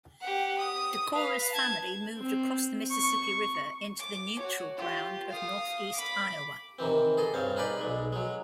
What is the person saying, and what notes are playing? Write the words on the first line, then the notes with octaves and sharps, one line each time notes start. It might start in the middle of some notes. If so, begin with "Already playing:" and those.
Decorah's family moved across the Mississippi River into the "Neutral Ground" of northeast Iowa.
G4 F#5
D#6
B4 F5
A5 G#6
C4
C#6
D6
F#4 C#5
F4 G4
F5 D#6
B5 D6
C3 D#3 E3 C4
G#4 A4 D#5
G2 C4 C#5 F5
D#4 G#4 B4 D5 B5
B1 G#3
F#3 G#3